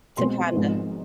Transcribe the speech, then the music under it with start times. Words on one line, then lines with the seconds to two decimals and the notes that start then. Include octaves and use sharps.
to kinda
0.17 B1 B2 G#3 C4 C6
0.56 G#1 G#2 F3 G#3 B3